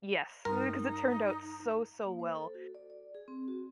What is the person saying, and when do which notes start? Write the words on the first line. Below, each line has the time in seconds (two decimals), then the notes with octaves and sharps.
yes, eh, 'cause it turned out so, so well.
0.45 G2 G3 D#4 A#4 C6
2.06 A#3
2.19 C5
2.36 A4
2.55 F#4
2.75 D5
2.90 D5
3.15 G#4
3.28 C4
3.48 F#4